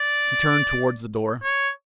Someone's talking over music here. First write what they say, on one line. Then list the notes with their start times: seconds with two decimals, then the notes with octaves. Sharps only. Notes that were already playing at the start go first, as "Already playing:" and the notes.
He turned towards the door.
Already playing: D5
1.43 C#5